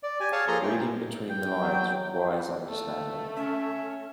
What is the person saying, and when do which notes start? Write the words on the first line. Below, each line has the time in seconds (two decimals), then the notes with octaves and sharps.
Reading between the lines requires understanding.
0.03 D5
0.20 G4 G#5
0.32 G#4 C#5 F5 A5
0.48 F3 A#3 G#4 A4 A#5 C6
0.63 E4 G5
1.30 G5
1.61 F#3
2.67 A3
3.37 C#4 E5